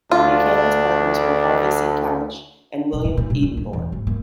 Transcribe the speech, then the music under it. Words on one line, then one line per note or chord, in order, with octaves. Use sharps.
Buchanan's partners were Harvey C. Couch and William Edenborn.
D2 D4 F4
B1
A#2
A#2
C2
D4
A#1
E2
G#2
A#3